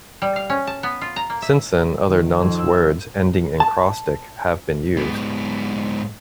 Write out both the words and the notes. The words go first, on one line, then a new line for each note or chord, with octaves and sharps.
Since then, other nonce words ending in "-crostic" have been used.
G3
F5
C#4
A5
B3
F4
A#5
A#3
E5
D#3
F2
E6
E5
A5
G#2 B3